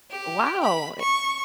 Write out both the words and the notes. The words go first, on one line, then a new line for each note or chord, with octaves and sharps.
Wow, it
G4
B5
C#6